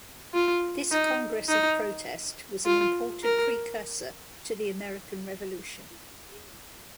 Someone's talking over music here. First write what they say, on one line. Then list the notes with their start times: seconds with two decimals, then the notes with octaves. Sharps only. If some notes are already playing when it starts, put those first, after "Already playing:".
This congress of protest was an important precursor to the American Revolution.
0.34 F4
0.92 D#4
1.49 D#4
2.66 F4
3.24 A#4